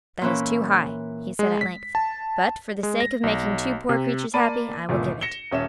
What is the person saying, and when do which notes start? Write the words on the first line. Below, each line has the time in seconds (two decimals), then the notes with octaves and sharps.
"That is too high," he said at length, "but for the sake of making two poor creatures happy, I will give it."
0.22 A#2 E3 C#4
1.39 G#3
1.61 B6
1.95 A5
2.83 G#3
3.00 A#6
3.23 B1
3.89 C3
4.34 A#3 D5 A5 B5 D#7
4.89 G1 C#2 A#2
5.21 A#6 C#7 E7 G7
5.51 D#1 C#4 E5 E7